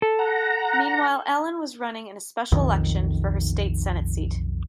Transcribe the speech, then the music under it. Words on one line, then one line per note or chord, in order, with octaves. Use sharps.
Meanwhile Allen was running in a special election for her State Senate seat.
A4
F#5 A#5
B1 F2 D#3